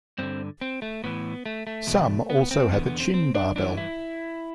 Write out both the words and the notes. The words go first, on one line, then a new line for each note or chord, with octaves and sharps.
Some also have a chin barbel.
G2 D3 C4
C4
A3
A2 E3 B3
A3
A3
E2 B2
B3
C4
E2 D3 B3
B3
C4
C4
D4
G2 E3 D4
E4